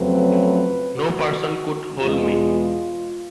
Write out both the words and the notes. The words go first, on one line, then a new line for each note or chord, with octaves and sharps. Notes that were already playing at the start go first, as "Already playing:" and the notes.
No person could hold me.
Already playing: F2 C#3 F#3 A3 C4 B4
F#4
E2 B2 G#3 F4
F4